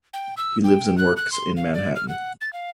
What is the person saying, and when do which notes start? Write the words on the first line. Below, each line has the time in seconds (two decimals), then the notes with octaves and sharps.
He lives and works in Manhattan.
0.13 G5
0.37 E6
0.64 G5
0.98 F#6
1.17 F#6
1.32 C6
1.57 F5
1.74 D5
1.96 F6
2.08 F#5
2.41 A6
2.53 F5